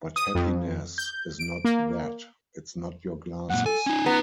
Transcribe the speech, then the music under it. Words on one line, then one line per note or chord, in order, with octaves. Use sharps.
But happiness is not that, it's not your glasses.
D#6
F2
G6
D7
A#3
F#2 A#2 F#5
A4 G#5
C#4 D#4 G#5
B3 A#5